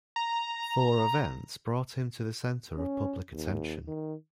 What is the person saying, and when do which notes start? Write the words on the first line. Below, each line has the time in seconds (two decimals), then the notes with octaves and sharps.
Four events brought him to the centre of public attention.
0.16 A#5
2.77 C#4
3.34 D#2
3.88 D#3